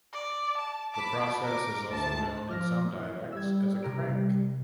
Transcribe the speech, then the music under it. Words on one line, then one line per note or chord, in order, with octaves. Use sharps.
This process is also known in some dialects as a crank.
D5
A5
A5 B5 D6
A#4 D6
D2 A5
F3 D6 F6 A#6
E3
G3 E6 G#6
C3 A#4 D7